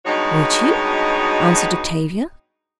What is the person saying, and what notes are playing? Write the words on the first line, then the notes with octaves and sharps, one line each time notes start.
"Would you?" answered Octavia.
G2 B2 G#3 D#4 F#4 C#5